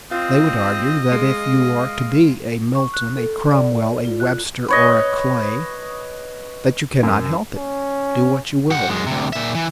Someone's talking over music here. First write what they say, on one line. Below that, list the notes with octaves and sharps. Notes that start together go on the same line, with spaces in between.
They would argue that if you are to be a Milton, a Cromwell, a Webster, or a Clay, that you cannot help it, do what you will.
C4 F4 D#5
G#3 F5
C#6
F#6
A4
D5
F4
F#6
B4 C#5 D#5
F#2
C#4
G4 F#5
F#2 G#3
D2 C3
A#2 E5
E3